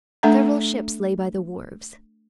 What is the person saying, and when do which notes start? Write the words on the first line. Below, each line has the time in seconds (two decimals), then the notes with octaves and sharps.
Several ships lay by the wharves.
0.23 A3 D4 A4 E5 F#5 A#5